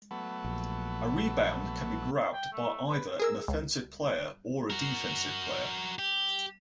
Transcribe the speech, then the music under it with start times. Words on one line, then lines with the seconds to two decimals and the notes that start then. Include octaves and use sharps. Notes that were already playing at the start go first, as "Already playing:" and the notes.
A rebound can be grabbed by either an offensive player or a defensive player.
0.11 F#3 A3 B3
0.45 A#1
2.33 G5
2.53 A3
2.88 B4
3.20 G#4 A#4 E6
3.48 C#2
4.70 F#4 A#4
5.99 G4